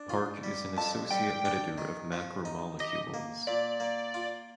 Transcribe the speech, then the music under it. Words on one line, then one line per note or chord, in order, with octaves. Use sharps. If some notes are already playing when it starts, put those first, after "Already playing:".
Park is an associate editor of Macromolecules.
Already playing: D4
F4
G3
F2 A5
G3 G5
D4
D#3
F3
D#4
G4 D#5
A#3
A#2 D5
A#3
F4